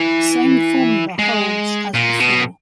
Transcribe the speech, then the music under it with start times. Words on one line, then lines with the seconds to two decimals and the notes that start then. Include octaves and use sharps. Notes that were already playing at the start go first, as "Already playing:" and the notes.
The same formula holds as before.
Already playing: E3
1.19 G#3
1.95 A#2
2.20 B2